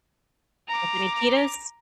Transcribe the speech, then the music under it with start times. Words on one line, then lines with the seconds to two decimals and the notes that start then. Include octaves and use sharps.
Anthony Kiedis?
0.69 A#5 D6